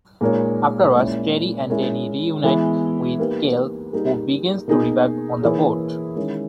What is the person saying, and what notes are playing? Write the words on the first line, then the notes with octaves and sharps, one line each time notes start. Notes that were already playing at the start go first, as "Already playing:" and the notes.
Afterwards, Terri and Danny reunite with Cale, who begins to revive on the boat.
A#2 G#3 D#4 A#4 C#5
A#2 G#3 C#4 E4
G#3 C#4 E4 A#4 C#5
E3 G#3 B3 E4
A#3 D#4 G4 B4
G3 A#3 D#4 G#4
B2 A#3 D#4 G#4
E3 A#3 E4 G#4 C#5
D#3 G#3 C#4 E4